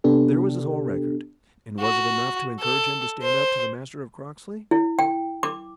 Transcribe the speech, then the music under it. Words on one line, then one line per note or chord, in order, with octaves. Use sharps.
There was his whole record, and was it enough to encourage him to stand up to the Master of Croxley?
C3 B3 D4 G4 A4
F#4
A4
C5
E4
G5
D6